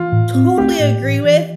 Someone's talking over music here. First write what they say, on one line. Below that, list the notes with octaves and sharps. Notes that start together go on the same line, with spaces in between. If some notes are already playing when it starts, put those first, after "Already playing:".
totally agree with,
Already playing: E3 F4
A2
C4
A3 G4
A2
E3
E3